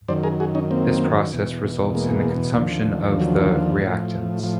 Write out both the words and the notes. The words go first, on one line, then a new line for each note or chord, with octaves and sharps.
This process results in the consumption of the reactants.
F#2 D#3 C5 D5
G#4 A#4
F#4 G#4
C#4 D#4
A#3 C4
E2 B2
G#3 A#3
D#2 D3 F3
F#3
A2 F3
F3